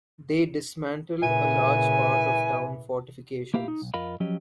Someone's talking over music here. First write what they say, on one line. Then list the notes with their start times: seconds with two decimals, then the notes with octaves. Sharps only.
They dismantled a large part of town fortifications.
1.22 A#2 C#3 E3 G#5
3.54 A#3 E4 G4 F5
3.68 D#4
3.82 B1
3.94 F2 F4 A#4 D#5 F5 B5
4.20 F3 F#3 C#4 G4 D#5